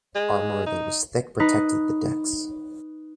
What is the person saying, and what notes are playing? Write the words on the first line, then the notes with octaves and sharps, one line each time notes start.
Armor that was thick protected the decks.
G#3
D#4
D#4 B4